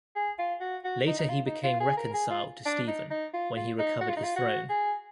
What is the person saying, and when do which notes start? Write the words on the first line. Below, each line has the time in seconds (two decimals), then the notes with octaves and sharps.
Later he became reconciled to Stephen when he recovered his throne.
0.15 G#4
0.39 F4
0.60 F#4
0.84 F#4
1.07 D#4
1.19 D#4
1.29 F4
1.46 D#4
1.63 F4
1.80 G#4
1.97 A#4
2.14 G#4
2.30 F4
2.66 D4
2.87 D#4
3.10 D#4
3.33 F4
3.57 F4
3.79 D#4
4.01 F#4
4.09 F4
4.17 D#4
4.23 F4
4.36 F#4
4.69 G#4